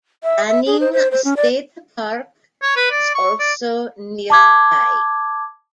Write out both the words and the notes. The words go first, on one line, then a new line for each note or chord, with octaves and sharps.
Banning State Park is also nearby.
E5
E5
G#4
C5
C5
C5
C#4
D5
C#5
B4
D5
C#6
D5
A5 D6 G#6